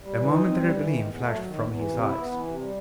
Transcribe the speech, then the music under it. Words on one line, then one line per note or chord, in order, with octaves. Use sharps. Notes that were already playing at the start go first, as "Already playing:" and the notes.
A momentary gleam flashed from his eyes.
G3
E3
D#4
C4
G3
E3
D#3
E2
A3
F#3
D#3
E2
E3
C3
E4
B3
E3
C3
G3